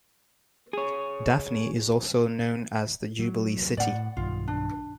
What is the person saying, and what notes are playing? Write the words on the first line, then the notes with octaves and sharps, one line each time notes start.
Daphne is also known as the Jubilee City.
G#4 C#5
F#3
A2 D5 F#5
B1 G2 D#3 F4
D4